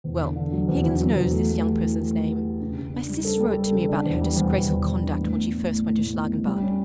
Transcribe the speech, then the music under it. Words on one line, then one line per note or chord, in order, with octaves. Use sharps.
Well, Higginson knows this young person's name; my sister wrote to me about her disgraceful conduct when she first went to Schlangenbad.
E2
D3
D3
F#3
E2
E2
F#3
E2
A3
A3
G4
E4
A3
A3
G4
G4
C#3
C#3
D4
G3
A4
G3
A4
C#3
D4
E2
G3
E2
E2
E2
E2
D4
A2
B3
A2
A2
A2
A2
B3
G3
G3
C#4